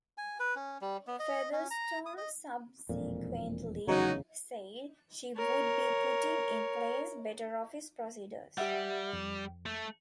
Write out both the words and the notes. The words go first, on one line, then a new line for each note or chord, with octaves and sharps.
Featherstone subsequently said she would be putting in place "better office procedures".
G#5
B4
C#4
G3
B3
D#5
C#4
A#5
D#6
D#5
E1 F2 A#2
F1 E2 C#3 F#3 D#4
A#4 C#5
G3 G4 E5 F#5
F2
A3